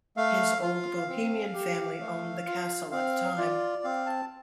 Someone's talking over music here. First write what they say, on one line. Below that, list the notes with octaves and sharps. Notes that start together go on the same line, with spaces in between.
His old Bohemian family owned the castle at the time.
A3 F5
F4 F5
C4
G4
A3
F4
C4 F5
F4 D5
C4 F5
A5